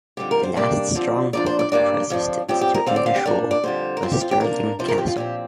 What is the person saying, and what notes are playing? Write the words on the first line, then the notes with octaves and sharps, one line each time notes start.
The last stronghold of resistance to English rule was Stirling Castle.
F2 D3 G3 C4 G4
A#4
C5
C3 G3 A#3 D4 D5
D3 F3 C4
A#2 F3 D4 D5
C5
D5
G2 G3 A#3 D4 D5
F2 F3 D4
G2 F3 C4 G4
G4
A#4
D3 G3 C4 F5
D5
F5
G4
A#2 G3 D4 A#4
D5
F2 D3 G3 C5
A#4
F2 F3 C4 C5
G4
F4
G4
C3 A#3 D4 A#4
C3 F3 C4 C5
A#4
G4
F4
A#2 F3 C4 G4